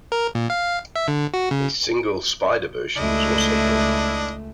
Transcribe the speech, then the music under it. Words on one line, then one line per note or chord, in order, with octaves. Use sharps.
A single spyder version was also built.
A#4
A#2
F5
E5
D3
F#4
C#3
C#2 A3 D4 E4 D#5